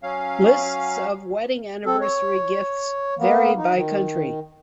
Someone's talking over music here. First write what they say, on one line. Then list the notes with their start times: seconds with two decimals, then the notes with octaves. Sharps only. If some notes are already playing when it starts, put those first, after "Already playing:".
Lists of wedding anniversary gifts vary by country.
0.03 F#3 C#4 F5
1.86 C4 A4
2.01 C#5
3.18 A#3 B3
3.57 D#4
3.74 D#3